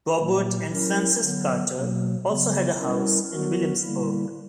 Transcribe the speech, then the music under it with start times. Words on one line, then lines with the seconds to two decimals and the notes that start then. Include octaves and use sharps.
Robert and Frances Carter also had a house in Williamsburg.
0.17 A#2 F#3 A#3
0.69 F#3 C#4 E4 A#4
1.22 D3 F#3 B3
1.73 B2 F#3 A#3
2.26 C#3 F#3 B3
2.79 G3 C#4 E4 A#4
3.31 F#3 B3 F#4 A#4
3.83 D3 G3 A#3 E4